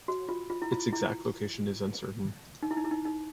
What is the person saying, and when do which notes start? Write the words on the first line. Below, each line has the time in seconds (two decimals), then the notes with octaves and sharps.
Its exact location is uncertain.
0.08 F#4
0.29 F4
0.50 F4
0.62 E4
0.72 F4
0.93 E4
2.63 D#4
2.71 E4
2.77 D#4
2.84 E4
2.91 D#4
3.05 D#4